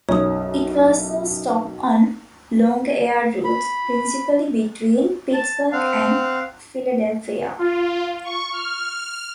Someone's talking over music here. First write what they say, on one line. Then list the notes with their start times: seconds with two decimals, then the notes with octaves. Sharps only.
It was a stop on longer air routes, principally between Pittsburgh and Philadelphia.
0.09 B1 F#2 C#5 D#6
3.44 B5
5.33 A5
5.72 C4 F5 F#5
7.59 F4
8.24 C#6
8.53 F6